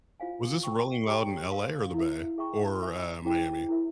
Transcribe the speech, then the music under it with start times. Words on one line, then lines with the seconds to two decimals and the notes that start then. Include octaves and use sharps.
Was this Rolling Loud in LA, or the Bay? Or, uh, Miami?
0.20 F4 C5 F5 G#5
0.63 C5 G5 A#5 C#6
1.06 G4 C#5 G5 A#5 C#6
1.50 A#4 F5 C6
1.94 E4 A#4 E5
2.38 G#4 E5 G5 A#5 C#6
2.81 A#4 E5 G#5
3.25 E4 G#4 C5 G5
3.69 E4 A#4 E5